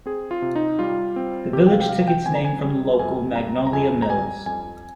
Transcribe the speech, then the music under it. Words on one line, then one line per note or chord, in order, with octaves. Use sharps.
The village took its name from the local Magnolia Mills.
C4 G#4
F4
C3
D#4
G3 F4
C4
C3 G4
G5
F5
G5
C3 F5
G5
C4 G#5
A#5
G#5
G3
F2 G#5
G3 A#5
A#5
F2 G#5
A#5
G3 G#5
F2 G#5